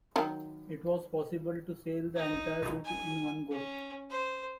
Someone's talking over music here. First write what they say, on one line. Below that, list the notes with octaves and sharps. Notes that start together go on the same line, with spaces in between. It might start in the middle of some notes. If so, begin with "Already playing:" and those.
It was possible to sail the entire route in one go.
D#3 F#3
D#4
G#5
C#4
C5